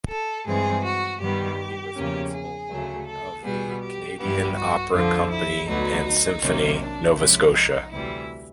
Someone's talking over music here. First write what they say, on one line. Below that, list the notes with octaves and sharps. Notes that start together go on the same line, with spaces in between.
He was principal horn of the Canadian Opera Company and Symphony Nova Scotia.
A4
G2 E3 G#3 C4 G#4
F#4
G2 D#3 G3 B3 G4
E2 C#3 F3 A#3 C#4
G#4
D2 C#3 F#3 A3
A4
B2 G3 B3 G#4
G4
G2 E3 G3 B3 G4
F#4
F2 D3 F3 F4
E4
D2 D3 F#3 B3 D#4
C3 D#3 F#3 A#3 C#4
D4
C3 F3 G#3 C#4 E4
D#4
D2 C3 E3 G3 E4